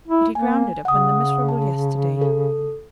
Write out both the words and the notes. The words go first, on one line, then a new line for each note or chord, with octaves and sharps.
Did he ground it upon the miserable yesterday?
E4
A#3 G#5
C#3 F#5 D#6
A5
A4